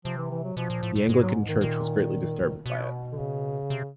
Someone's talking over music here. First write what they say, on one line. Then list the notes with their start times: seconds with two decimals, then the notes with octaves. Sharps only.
The Anglican Church was greatly disturbed by it.
0.05 C3 F3
0.17 E3
0.30 E3
0.44 F#3
0.57 B2 F3
0.70 A#2
0.83 A2
0.96 A2
1.09 G#2
1.22 F#3
1.48 D#3
1.61 A#2 D#3
2.66 B2
3.12 D3
3.18 C#3
3.70 C3